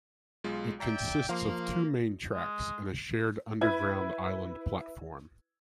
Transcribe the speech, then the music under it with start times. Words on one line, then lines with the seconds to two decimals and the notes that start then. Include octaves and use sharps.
It consists of two main tracks and a shared underground island platform.
0.44 B1 G#3 F4
0.80 D5 E5 G5 A#5 G6
1.29 F3 A#3 F5
2.31 G#3
3.61 E4 B4 G#6